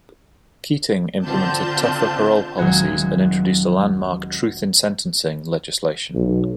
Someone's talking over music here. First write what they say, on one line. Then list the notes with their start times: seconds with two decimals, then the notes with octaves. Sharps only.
Keating implemented tougher parole policies and introduced a landmark truth-in-sentencing legislation.
1.24 D3 C4 F4 A5 G6
2.58 D#1 F#3 G#3 F#4 G#6
6.15 B1